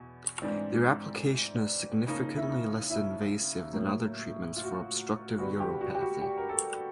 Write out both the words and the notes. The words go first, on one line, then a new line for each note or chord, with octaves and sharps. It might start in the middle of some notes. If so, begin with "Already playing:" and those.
Their application is significantly less invasive than other treatments for obstructive uropathy.
Already playing: E2 B2
G#2 E3 G#3 C4 D4
C#3 F3 A#3 D#4
E4
D#4
E4
A2 F#3 A#3
F4
F#4
F4
G2 D3 G3 B3 F#4
G4
F#4
G4
F#4
G4
A#4
A4